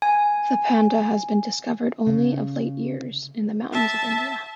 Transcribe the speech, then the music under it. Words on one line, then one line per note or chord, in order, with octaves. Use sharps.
The panda has been discovered only of late years, in the mountains of India.
G#5
C#3
E5 A5